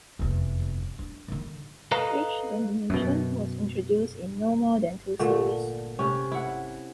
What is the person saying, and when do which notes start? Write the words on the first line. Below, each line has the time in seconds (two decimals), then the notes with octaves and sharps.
Each denomination was introduced in no more than two series.
0.19 F1 E2
0.99 D4
1.28 D3 D#3
1.91 A4 B4 D#5 F5 A#5
2.90 F#2 B2
5.19 A#2 D3 A3
5.99 C3 C#4
6.32 E4 F#5